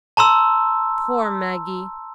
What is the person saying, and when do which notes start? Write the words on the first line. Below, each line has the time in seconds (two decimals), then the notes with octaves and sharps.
Poor Maggie!
0.17 A5 A#5 C6 E6